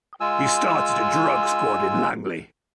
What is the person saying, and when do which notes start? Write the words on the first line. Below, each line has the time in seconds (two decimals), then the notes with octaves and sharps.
He started a drug squad in Langley.
0.20 G#3 F4 G#5 E6